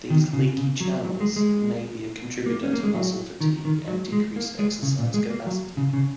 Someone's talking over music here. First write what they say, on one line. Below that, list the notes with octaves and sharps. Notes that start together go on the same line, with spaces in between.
These "leaky" channels may be a contributor to muscle fatigue and decreased exercise capacity.
D#3
C#3
C#3
F#3
F#3
G#3
G#3
A#3
C#4
A#3
G#3
F#3
D#3
D#3
F#3
G#3
A#3
G#3
C#3
A#2
G#3
A#3
F#3
C#3
C#3